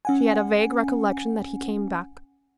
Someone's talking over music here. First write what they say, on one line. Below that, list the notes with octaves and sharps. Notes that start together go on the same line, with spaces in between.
She had a vague recollection that he came back.
C#4 F#5 G#5